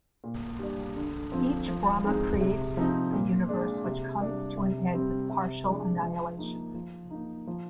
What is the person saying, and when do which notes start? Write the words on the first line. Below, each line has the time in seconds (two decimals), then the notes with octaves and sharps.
Each Brahma creates a universe which comes to an end with partial annihilation.
0.24 A#2
0.59 G3 D4
0.96 D3
1.32 F3 C4
1.68 F3
2.04 G#3 C4 D#4
2.41 C3
2.77 F3 C4 D#4
3.13 A#2
3.49 G#3 D4
3.85 C3
4.21 G3 D4
4.57 C3
4.94 G3 C4
5.29 C3
5.66 F3 G#3 D4
6.03 F3
6.38 A#3 D#4
6.74 F3
7.11 A#3 D#4
7.47 F3